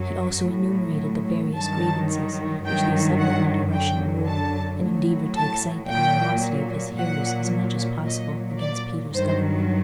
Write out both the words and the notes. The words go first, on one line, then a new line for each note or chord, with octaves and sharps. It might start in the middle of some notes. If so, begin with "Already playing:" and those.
He also enumerated the various grievances which they suffered under Russian rule, and endeavored to excite the animosity of his hearers as much as possible against Peter's government.
Already playing: F#2 F#3
A2 F#3
G2 D#3 F#3 A5
G2 D#3 F#3 G5
F#5
F#2 D3 F#3 G5
A5
A2 F#3
A5
A#2 F#3 G5
A#2 F#3 F#5
A#2 F#3 D#5
D5
G2 D#3 F#3 C5